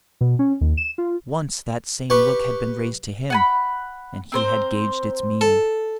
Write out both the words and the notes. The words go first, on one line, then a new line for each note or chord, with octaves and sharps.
Once that same look had been raised to him, and he had gauged its meaning.
B2
C#4
D#2
E7
F4
G4 B4 C#6
F#5 G#5 B5
C4 A#4 C5
A4